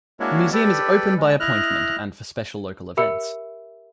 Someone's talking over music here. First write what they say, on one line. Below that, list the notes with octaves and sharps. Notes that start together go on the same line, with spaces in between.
The museum is open by appointment and for special local events.
G#3 A#3 D4 E4 F#4 C#5
G4 A4 B4 D5
G#3
E4 D#5 F6 F#6
G4 A#4 E5 B5 E6 C#7